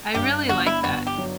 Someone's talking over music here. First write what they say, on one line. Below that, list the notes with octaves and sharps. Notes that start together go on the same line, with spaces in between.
I really like that.
G2 G4
G1 F#4
E4
G1 F#4
G4
F#3